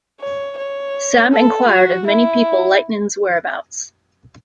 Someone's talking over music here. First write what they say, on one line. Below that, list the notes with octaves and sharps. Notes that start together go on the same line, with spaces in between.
Sam enquired of many people Lightnin's whereabouts.
C#5
C#5
A4
F#4
E4